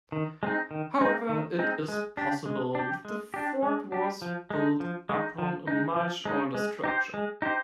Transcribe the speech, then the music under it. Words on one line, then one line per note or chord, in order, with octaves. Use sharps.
However, it is possible that the fort was built upon a much older structure.
D#3
G#3 C4 D#4
D#3
G#3 C4 D#4
D#3
G#3 C4 D#4
G#3
D4 G4
G#3
D4 G4
G#3
D4 G4
G#3
D4 G4
F3
G#3 D#4
F3
G#3 D#4
F3
G#3 D#4
F3
G#3 D#4
G#3
D#4 G4 C5
G#3
D#4 G4 C5